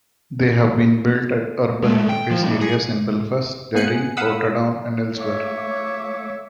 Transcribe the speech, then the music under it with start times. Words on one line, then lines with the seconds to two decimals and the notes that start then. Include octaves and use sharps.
They have been built at urban interface areas in Belfast, Derry, Portadown and elsewhere.
1.84 G#3 A3
2.09 G5
2.31 F3
2.44 A#2 G3
2.61 G#4
3.74 A#3 B3 G#4 G#5 F#6 C#7
4.17 F5 F#5 B5 D#6 E6
5.19 A3 C#5 E5 F5 D6